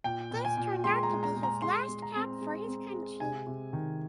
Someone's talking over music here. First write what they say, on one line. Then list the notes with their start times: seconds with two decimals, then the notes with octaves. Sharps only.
This turned out to be his last cap for his country.
0.04 A#2 G5
0.31 A#2
0.45 G#5
0.57 A#2
0.84 G#3 C6
1.03 A#5
1.10 G#3
1.23 A#5
1.36 G#3
1.43 A#5
1.62 G#3 C6
1.88 G#3
2.02 A#5
2.16 C4
2.41 G#3
2.68 C4
2.94 G#3
3.20 C3 G#5
3.47 C3
3.73 D#3